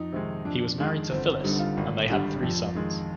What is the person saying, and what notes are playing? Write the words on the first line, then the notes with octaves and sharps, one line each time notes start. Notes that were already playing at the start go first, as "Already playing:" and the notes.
He was married to Phyllis, and they had three sons.
Already playing: F2 D#4
C3 D#3 G#3
F2 D4
D#3 G#3
G1 C4
G2 D3 G3 D#4
F4
G#1
G2 D3 G3
F2
D#3 G#3